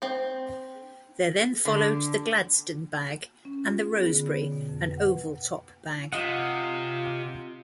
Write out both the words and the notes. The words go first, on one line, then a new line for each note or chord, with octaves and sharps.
There then followed the Gladstone bag and the Rosebery, an oval-top bag.
C4 C5
D3
C#4
F4
G#4
B3
D3
C#5
B2
F2
B4
F#5
C3 F4 D#5 F#5